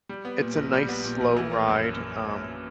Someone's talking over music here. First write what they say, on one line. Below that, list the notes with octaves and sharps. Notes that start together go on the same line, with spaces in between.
it's a nice slow ride, um,
G3
B3
A#2
A#1
G3
B3
A#2
A#1
E3
A#3
F#2